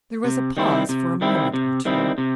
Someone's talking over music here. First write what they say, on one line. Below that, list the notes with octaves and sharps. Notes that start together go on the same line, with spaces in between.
There was a pause for a moment or two.
C3
D#3 G3 C4 E4
C3
D#3 G3 C4 E4
C3
D#3 G3 C4 E4
C3